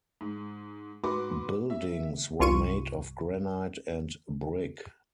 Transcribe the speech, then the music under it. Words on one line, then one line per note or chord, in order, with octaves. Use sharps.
Buildings were made of granite and brick.
G#2
G#2 F#4 B4 C6 D6
E5
C2 G2 F4 C#6 D#7